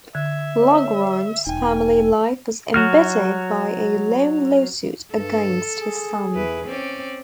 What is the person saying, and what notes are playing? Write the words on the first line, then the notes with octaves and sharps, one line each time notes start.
Lagrange's family life was embittered by a long lawsuit against his son.
D3 E5 G#6
C#5
E1 D#4 G5 G#5
F#3 F#4 F6
G2 A4
G#4
E2 E4 B4
C4 C#4 D5